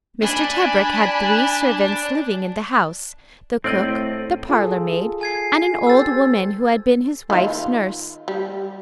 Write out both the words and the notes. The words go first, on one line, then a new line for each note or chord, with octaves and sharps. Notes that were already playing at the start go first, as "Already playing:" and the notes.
Mr. Tebrick had three servants living in the house, the cook, the parlour-maid, and an old woman who had been his wife's nurse.
D4 G#5 B5
A2 C4 D5 D#5
F4 G#4 A4
G#5 G#6 C7
G4 A4 C5 E6 A6
D#3 F4
G3